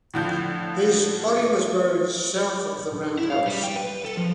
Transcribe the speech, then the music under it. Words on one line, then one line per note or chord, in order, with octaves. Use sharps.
His body was buried south of the Round House.
A2 D3 F3 G6
E4
F5
G3
G5
B4
A4
F3